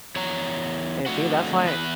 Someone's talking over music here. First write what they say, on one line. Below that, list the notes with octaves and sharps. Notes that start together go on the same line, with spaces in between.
and see that's why
E2 C#5 A#5
F2 D3 A3 F#4 F#5
E2 E3 B4